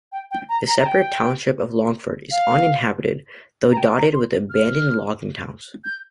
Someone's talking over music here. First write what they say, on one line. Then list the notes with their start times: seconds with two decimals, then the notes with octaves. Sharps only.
The separate township of Longford is uninhabited, though dotted with abandoned logging towns.
0.12 G5
0.31 G5
0.49 A#5
0.67 A#5
0.80 A#5
0.85 G5
2.31 F5
3.72 A#5
3.77 G5
3.96 A#5
4.13 C6
4.50 F6
5.84 G6